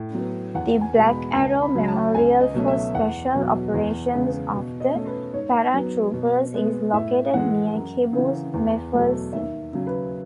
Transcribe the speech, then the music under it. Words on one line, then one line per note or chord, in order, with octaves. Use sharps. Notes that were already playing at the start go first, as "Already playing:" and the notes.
The "Black Arrow"-memorial for special operations of the paratroopers is located near kibbuz Mefalsim.
Already playing: A2
F#3 B3
E2 F#5
G#5
B2 G#3
B5
C#2 A5
B5
C#3 F#3 C#4
A5
C#2 G#5
D#5
B2 F#3 A3 C#4
E5
E2 F#5
B2 F#3
E2
C#3 G#3 B3
B2
D#5
A3 C#4
B4
G#2 C#5
F#3 B3
B2
G#3 B3
A2 E5
E3 G#3 F#5
F#2
C#3
E3
E2
B2 F#3 A3
D#2 E5
C#3 F#3
B4